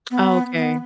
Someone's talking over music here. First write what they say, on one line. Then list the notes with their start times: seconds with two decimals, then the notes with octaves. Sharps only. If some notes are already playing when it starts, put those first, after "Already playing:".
Oh, okay.
0.11 B3
0.56 B3